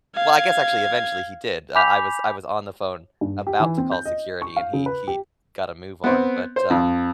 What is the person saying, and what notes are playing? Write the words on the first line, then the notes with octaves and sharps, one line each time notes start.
well, I guess, actually, eventually, he did, uh, I was I was on the phone about to call security, and he he got a move on, but, um,
F5 G#6
G#5 B5 D6 G6 B6 F7
G2
G4
E3
C4
G6
D#5
C#6
F5
C#3
B4
G4
B3 C4
C5
F2